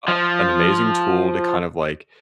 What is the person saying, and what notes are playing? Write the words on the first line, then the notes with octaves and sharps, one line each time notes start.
uh, an amazing tool to kind of, like,
F3